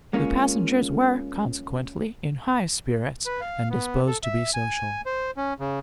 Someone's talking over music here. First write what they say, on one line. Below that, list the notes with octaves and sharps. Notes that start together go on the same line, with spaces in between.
The passengers were, consequently, in high spirits and disposed to be social.
G#3 A#3 C#4 F4
B4
F5
B3
A4
E5
G#5
C5
C#4
C#3